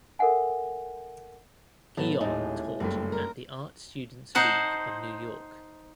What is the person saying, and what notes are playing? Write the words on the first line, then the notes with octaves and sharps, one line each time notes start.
Guion taught at the Art Students League of New York.
A4 A#4 E5 F#5 G#5
A2 F#3 A3 B3
D#1 A2 G#3 D#4
F#1 G2 A3 C4
A#4
D#4 C5 F#5 A5